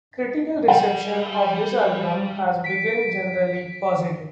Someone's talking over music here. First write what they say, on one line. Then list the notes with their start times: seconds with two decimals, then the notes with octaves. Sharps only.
Critical reception of this album has been generally positive.
0.68 G3 F#5
2.64 B6 D7